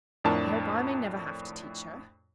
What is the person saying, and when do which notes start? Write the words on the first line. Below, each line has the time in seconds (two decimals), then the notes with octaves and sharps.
"I hope I may never have to teach her."
0.24 F2 A2 D4 A#4 A5